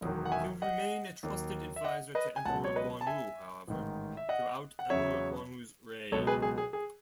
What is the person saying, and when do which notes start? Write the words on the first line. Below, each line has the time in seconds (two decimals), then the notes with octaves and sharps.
He would remain a trusted advisor to Emperor Guangwu, however, throughout Emperor Guangwu's reign.
0.01 E1 E2 D#3 F#3
0.25 F#5
0.32 E5 G#5
0.62 D#5 F#5
1.23 D#2 D#3 F#3
1.76 E5
1.84 D#5 F#5
2.15 B4 D#5
2.36 G#5
2.45 C#2 B2 F#3 F#5 A5
2.64 C#5
2.76 B4 D#5
3.01 A5
3.07 E5 G#5
3.68 A1 G#2 D#3
4.17 E5
4.29 D#5 F#5
4.79 F#5
4.90 E2 C#3 F#3 C#5 E5
6.12 C#2 B2 F#3 A4 C#5
6.27 G#4 B4
6.42 G#4
6.58 G#4
6.73 G#4